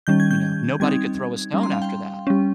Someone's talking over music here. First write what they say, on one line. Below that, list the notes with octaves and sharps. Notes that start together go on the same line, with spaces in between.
you know? Nobody could throw a stone after that,
D#3 G3 C#4 G6
G#6
G6
G3 C4 D#4 G#6
G3 C#4 A#5
C6
F5
G5
G3 C#4